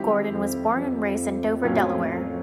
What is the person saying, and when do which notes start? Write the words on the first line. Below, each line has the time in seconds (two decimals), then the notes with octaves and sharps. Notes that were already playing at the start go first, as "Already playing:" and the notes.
Gordon was born and raised in Dover, Delaware.
Already playing: D#3 G3 C4 E4 G4
0.29 F2
0.74 F2
1.63 A2 F#3 A#3 C#4 F4